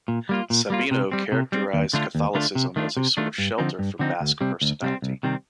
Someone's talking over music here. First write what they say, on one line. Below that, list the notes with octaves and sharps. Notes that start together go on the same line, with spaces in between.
Sabino characterized Catholicism as a sort of shelter for Basque personality.
A#2
G3 A#3 F4
A#2
G3 A#3 F4
C3
G3 C4
C3
G3 C4
D#2
D3 A3 D4 F4
D#2
D3 A3 D4 F4
C3
D#3 A3 D4 F4
C3
D#3 A3 D4 F4
G2
D3 F3 C4 D#4
G2
D3 F3 C4 D#4
D2
C3 G3 C4
D2
C3 G3 C4
C2
C3 D#3 G3 C4